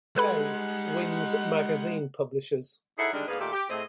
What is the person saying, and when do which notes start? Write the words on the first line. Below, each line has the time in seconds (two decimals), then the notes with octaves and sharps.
A. Wyn's Magazine Publishers.
0.16 G3 G#3 D#4 A4 B4 F#5 B5
2.98 D#4 E4 G#4 A4 C#5 F#5
3.13 D3 D#3 G3 G#3 D4 D#4
3.28 G#2 A#3 B3 D4 G#4 F5
3.40 A#2 D#3 A3 G4
3.52 G4
3.69 A2 A3 C4 G#4 D#5